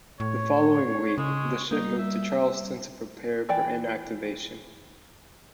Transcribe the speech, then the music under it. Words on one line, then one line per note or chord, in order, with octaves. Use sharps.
The following week, the ship moved to Charleston to prepare for inactivation.
A2 C#5
C#3 G#3 C#6
G3 A#3 D#4
E5
E3 D5 G5